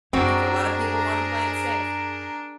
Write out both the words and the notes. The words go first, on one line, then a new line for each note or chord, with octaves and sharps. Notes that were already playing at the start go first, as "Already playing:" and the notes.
That's a lot of people wanna play it safe.
F#2 C4 D4 E4 F#4 G#4 A#4